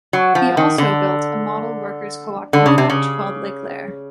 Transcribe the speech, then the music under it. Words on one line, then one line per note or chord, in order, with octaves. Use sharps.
He also built a model workers' cooperative village called Leclaire.
F#3
F3
D#3
D3
D3
C#3
C3
C#3